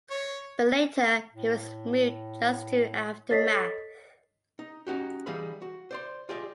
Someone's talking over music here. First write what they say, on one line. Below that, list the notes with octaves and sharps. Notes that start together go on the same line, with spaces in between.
But later he was moved just to Aftermath.
C#5
A2
A4 C#5 D#5 A6 B6 C7
D#4
C#4 D#4 F#4 G4
E3 G3 D#4 G#4 F5 B5
F#4
C5 D5 C6
F4 G4 G#4 D5 D#5